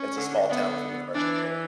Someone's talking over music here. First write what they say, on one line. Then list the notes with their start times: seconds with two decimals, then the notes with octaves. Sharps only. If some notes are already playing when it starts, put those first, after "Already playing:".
It's a small town with a university in it.
Already playing: C#4
0.16 D3
0.49 D3 B3
1.15 E3 D4